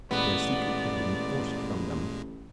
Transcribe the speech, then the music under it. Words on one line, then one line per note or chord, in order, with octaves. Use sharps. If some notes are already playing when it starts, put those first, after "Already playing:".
Their secret had been forced from them.
A1 A#2 G#3 B3 D5